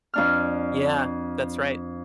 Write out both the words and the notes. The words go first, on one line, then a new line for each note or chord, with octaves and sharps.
Yeah, that's right.
F2 D4 F6